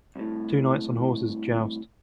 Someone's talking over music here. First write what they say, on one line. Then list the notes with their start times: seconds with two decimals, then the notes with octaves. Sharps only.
Two knights on horses joust.
0.16 C2 A2